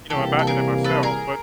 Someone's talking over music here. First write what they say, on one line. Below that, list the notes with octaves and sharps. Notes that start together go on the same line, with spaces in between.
you know, imagine it myself, but
C3 E3 G3 A#3 G4 A4
A4
G#4 A#4
A4 B4
G#4 A#4